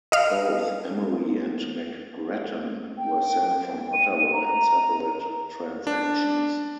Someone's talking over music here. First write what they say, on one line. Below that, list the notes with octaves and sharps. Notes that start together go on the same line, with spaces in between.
Both Emery and McGrattan were sent from Ottawa in separate transactions.
D#5 F5
G5
G5
D#7
A#5
D4